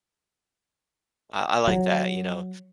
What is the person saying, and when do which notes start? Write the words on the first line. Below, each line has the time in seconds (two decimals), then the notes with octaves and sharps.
I I like that, you know,
1.67 F#3